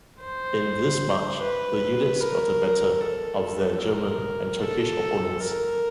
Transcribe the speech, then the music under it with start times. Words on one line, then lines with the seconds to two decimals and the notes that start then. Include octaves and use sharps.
In this march the units got the better of their German and Turkish opponents.
0.20 C5
1.40 B4
2.20 A#4
3.01 A4
3.80 A#4
4.61 A4
5.41 A#4